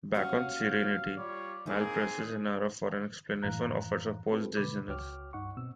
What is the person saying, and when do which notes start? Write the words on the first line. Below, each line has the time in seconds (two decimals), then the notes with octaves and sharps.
Back on "Serenity", Mal presses Inara for an explanation of her supposed dizziness.
0.15 D#2 C#4 F#4 F5
1.17 G3 F4 C#5 D5
1.66 A#3 C4 D#4 G#4 B4
3.42 F#2 A2 E3 F5 A#5 F#6
4.30 A3 C4 F4 G4 A4 B4
4.57 B2 D3 G#3 B4 B5 D6
4.88 C#2 F#4 C#5 G5 D6 F6
5.33 G2 D#4 F#5 C#6
5.57 B2 C4 E6